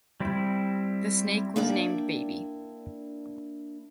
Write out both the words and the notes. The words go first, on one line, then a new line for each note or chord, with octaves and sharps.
The snake was named Baby.
G3 C4 E4
A#3 D4 E4 D5 G5